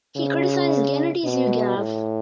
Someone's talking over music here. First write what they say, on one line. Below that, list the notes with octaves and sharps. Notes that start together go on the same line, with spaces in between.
He criticized Gennady Zyuganov.
C#3
B2
A2